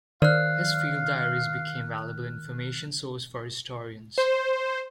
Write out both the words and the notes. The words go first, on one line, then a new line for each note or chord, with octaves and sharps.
His field diaries became valuable information source for historians.
D#3 A#4 C5 D5 F5 F6 F#6
C5